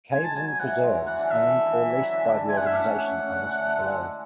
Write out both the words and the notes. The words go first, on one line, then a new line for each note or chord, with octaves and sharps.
Caves and preserves owned or leased by the organization are listed below.
G#3 G#5
A5
F#3 G#5
G#5
E3 F#5
F#3
G#3
F#3
E3 F#5
D3
E3 E5
D3
E3
E3
F#3
E3
D3
D3
E3
G#3 G#5
A3 F#5
E5
D4 F#5
C#4
C#4
C#4
C#4
D3
E3
D3
A3
G#3
G#3